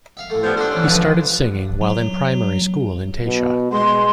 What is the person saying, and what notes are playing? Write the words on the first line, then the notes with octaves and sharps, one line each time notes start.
He started singing while in primary school in Taita.
E5 F5
A2 A3
F3 G3 B3
D3 D4 A4 C5 E5
E3 C#4
C#2 D3 F3 B4 A5
F#3
B2
G#3 C6